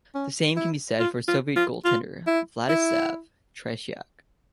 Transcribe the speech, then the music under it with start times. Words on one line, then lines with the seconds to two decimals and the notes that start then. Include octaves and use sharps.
The same can be said for Soviet goaltender Vladislav Tretiak.
0.15 C#4
0.56 E4
0.99 F4
1.28 F4
1.56 F4
1.84 F4
2.27 E4
2.69 E4